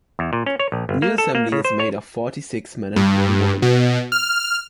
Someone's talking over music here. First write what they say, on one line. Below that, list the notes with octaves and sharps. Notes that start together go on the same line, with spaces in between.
The new assembly is made of forty-six men and one woman.
E2
A#2
C#4
C#5
A#1
G1
A#3
A4
A#3
C#3
C5
C#5
G2
B2
F6